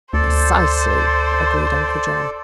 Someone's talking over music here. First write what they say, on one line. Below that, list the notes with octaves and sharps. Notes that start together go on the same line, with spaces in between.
"Precisely," agreed Uncle John.
D2 A4 C5 D5